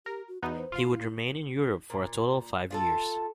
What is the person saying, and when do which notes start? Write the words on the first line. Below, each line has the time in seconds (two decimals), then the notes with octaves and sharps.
He would remain in Europe for a total of five years.
0.06 G4 A#4
0.28 F#4
0.43 E2 B3 D#4 F#4
0.57 C5
0.72 F4 F5
0.90 E4
1.90 A#2
2.71 F4 G#4 A4